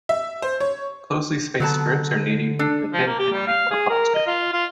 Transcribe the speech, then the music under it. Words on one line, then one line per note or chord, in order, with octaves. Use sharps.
Closely spaced strips are needed for thin panelling or plaster.
E5
C5
C#5
D3 F#3 B3 A5
D4 A4
F3
A#3
G4
G3
F5
G#4
A#4
D#5
F4
F4